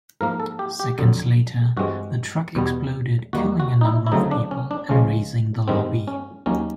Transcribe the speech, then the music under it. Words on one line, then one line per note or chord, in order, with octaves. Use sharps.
Seconds later, the truck exploded, killing a number of people and razing the lobby.
G#2 F3 A#3 A#4
A4
G4
G4
F2 D3 F#3
G2 E3 G#3 C4 F#4
E2 B2 G3 B3
D#2 D#3 G3 A#3 F#4
F#4
D#4
E4
E4
D2 C#3 F#3 A3 C4 D#4
D4
C#4
D4
C#2 C#3 F3 G#3 C#4
G2 D#3 G#3 B3 C4
C#4
D#2 D#3 F#3 A#3 C#4